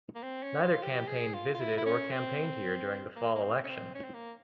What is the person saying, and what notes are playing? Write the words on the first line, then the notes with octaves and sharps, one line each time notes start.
Neither campaign visited or campaigned here during the fall election.
A#3
C4
C#4
F4
G4
G#4
F4
F4
E4
E4
C#4
C4
A#3
A#3
C4
C#4
C4
C#4
C4
A#3